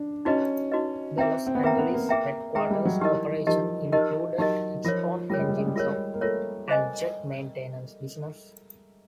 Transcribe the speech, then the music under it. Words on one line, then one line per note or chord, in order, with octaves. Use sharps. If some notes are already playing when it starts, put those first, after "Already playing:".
The Los Angeles headquarters operation included its own engine shop and jet maintenance business.
Already playing: D4
C#4 D#4 F#4 B4 D#5
D#4 F#4 B4 D#5
C4 G#4 B4 E5 G5 A#5
C4
B3
A#3 G#4 B4 E5 G5 A#5
B3
A#3
G#4 B4 E5 G5 A#5
G#3 G#4 B4 E5 G5 A#5
G3
F#3
E3 D#4 G4 A#4 D#5
F3 D#4 G4 A#4 D#5
D#4 G4 A#4 D#5
F#3 D#4 G4 A#4 D#5
F3 F4 A#4 C#5
G3 F4 A#4 C#5
G#3
G3
G#3
G3
G#3 F4 A#4 C#5
G3
A#3
A3 F4 A#4 C#5
G#4 C5 D#5 G#5